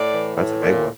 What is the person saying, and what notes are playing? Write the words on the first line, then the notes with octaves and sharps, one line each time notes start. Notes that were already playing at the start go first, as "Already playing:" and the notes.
That's a big one.
Already playing: A2 D5
E3
A2
A#2